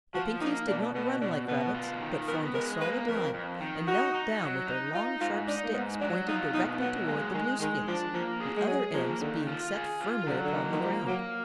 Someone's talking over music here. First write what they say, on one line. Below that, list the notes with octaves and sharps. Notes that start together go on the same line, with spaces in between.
The Pinkies did not run like rabbits, but formed a solid line and knelt down with their long, sharp sticks pointed directly toward the Blueskins, the other ends being set firmly upon the ground.
F3 F#4
A#3 D#4
B2 D4
B2 B3
B2 D4
B2 B3
F4
D#3
B3 A#4
G#3 A#4
A#3 B4
F2 A#4
F2
D#3
D#4 F#4
D#4
F#3
D#4
D#4 F4
G#2 F4
D4 D#4
A#3
G#2 B3
F#3 D4
D#4 F4
B2 D#4
F#3 B3
G#3 A#3
D#3 G#3
D#3 G#3
F3 D4
F3 A#3
G#4
G#3
F#3 G#4
F3 A#3
D3 D#3
F4
G#4
F4
D3 F#3
D3
D#3 A#3
D#3
F3 A#3
F#3 A#3